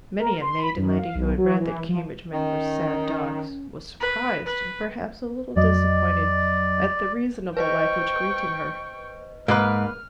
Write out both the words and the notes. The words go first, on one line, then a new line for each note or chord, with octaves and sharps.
Many a maiden lady who had read that Cambridge men were sad dogs, was surprised and perhaps a little disappointed at the reasonable life which greeted her.
A#4
C6
B5
F#2
F5
B1
F#3
E3
F3
D#3 C#4
B4
B4
F2 F#3 D5 D#5
B4 C5 D#5 G5 C#6
G#2 A#3 B4 F6